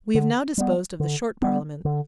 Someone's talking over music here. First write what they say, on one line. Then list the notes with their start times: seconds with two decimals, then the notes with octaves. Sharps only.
We have now disposed of the Short Parliament.
0.15 D3
0.58 G3 B3
1.00 D3
1.42 G3 B3
1.85 D3